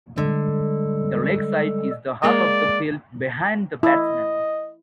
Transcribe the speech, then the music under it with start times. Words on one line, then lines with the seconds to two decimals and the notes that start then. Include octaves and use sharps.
The leg side is the half of the field "behind" the batsman.
0.18 D3 G3 G#3 A4
2.24 G#3 A#3 D5
3.83 E4 D#5